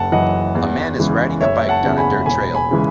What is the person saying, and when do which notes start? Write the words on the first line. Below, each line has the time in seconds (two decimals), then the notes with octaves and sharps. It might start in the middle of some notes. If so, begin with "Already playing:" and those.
A man is riding a bike down a dirt trail.
Already playing: F#1 F#5 A5
0.12 F#2 E3 D#5 F#5
0.55 E2
0.98 C#3 E3 G#3
1.41 F#1 C#5 E5
1.69 F#5 A5
1.83 E2 C#3
1.98 G#5 B5
2.26 E1 G#5 B5
2.54 G#5 B5
2.71 C#3 E3 G#3